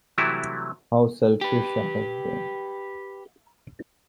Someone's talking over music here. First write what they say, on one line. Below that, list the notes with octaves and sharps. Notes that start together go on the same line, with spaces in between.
How selfish I have been!
C3 E3 F#3 G3 A3 E4
G4 B4